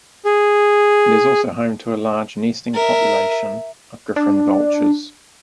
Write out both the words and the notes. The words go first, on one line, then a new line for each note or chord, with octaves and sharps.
It is also home to a large nesting population of Griffon vultures.
G#4
A#4 E5
D4